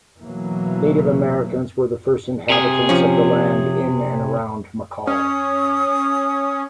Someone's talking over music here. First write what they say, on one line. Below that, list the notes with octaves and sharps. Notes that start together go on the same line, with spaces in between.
Native Americans were the first inhabitants of the land in and around McCall.
B2 E3 F#3 A#3
C3 G#4
F3 C#4
C#4 D#6